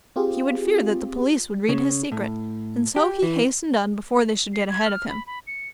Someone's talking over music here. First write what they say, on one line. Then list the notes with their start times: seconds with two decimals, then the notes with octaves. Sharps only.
He would fear that the police would read his secret, and so he hastened on before they should get ahead of him.
0.16 C4 F4 G4 G#4
1.69 C#3
2.12 A2
2.96 G4
3.22 E3
4.54 C7
4.70 G#6
4.85 F6
5.09 B5
5.27 B5
5.47 C#7